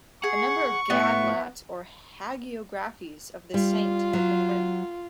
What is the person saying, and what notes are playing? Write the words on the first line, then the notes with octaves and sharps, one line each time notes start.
A number of "gadlat" or hagiographies of this saint have been written.
G#4 F#5 C#6
A2 B3 E5
G3 F4
F#3